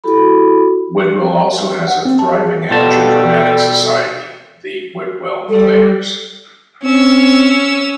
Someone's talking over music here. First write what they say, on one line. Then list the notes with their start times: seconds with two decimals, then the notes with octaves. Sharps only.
Whitwell also has a thriving amateur dramatics society - The Whitwell Players.
0.04 E4 F#4 G4 A4 B5
1.88 F#5
2.05 C4
2.19 A5
2.34 G#4
2.70 B2 G3 F4 A4 A5
5.49 G3 A4
6.83 C4 C#4 E6